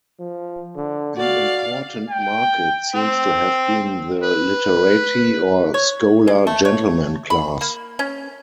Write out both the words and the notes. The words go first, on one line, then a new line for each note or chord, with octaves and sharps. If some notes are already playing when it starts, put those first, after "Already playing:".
An important market seems to have been the "literati" or scholar-gentleman class.
F3
D3
F#4 D5 F5
G5
C4
B4
C#5
G#3
A3
C#5
B5
A#3
C#4